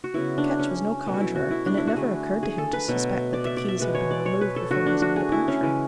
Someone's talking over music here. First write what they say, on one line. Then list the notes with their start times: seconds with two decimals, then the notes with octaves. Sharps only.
Ketch was no conjuror, and it never occurred to him to suspect that the keys had been removed before his own departure.
0.04 F#4
0.14 C#3 F#3 B3 E4
0.38 D4
0.59 C#4
1.06 B2 F#3 A3
1.14 F#4
1.21 E4
1.35 F#4
1.51 E4
1.66 D4
1.77 E4
1.87 F#4
1.96 D3 A3 G#4
2.43 G#4
2.58 A4
2.73 B4
2.88 B2 F#3 A3
3.33 D5
3.45 E5
3.57 D5
3.68 E5
3.79 B2 G#3 B3
3.95 C#5
4.11 D5
4.26 C#5
4.41 B4
4.56 A4
4.71 D3 A3 F#4
4.86 D4
5.02 F#4
5.16 G#4
5.32 E4
5.48 C#4
5.63 C#3 E3 G#3